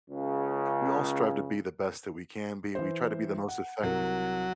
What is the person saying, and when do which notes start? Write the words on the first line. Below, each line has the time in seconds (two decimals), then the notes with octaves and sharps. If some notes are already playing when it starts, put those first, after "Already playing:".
we all strive to be the best that we can be. We try to be the most effective,
0.10 C#2 C#3
2.75 E3 C5
3.48 F#5
3.83 C2 F#3 A#4